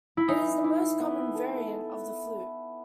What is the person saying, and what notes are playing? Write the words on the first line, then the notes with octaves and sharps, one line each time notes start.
It is the most common variant of the flute.
E4
E3 D#4
E4
B3
A4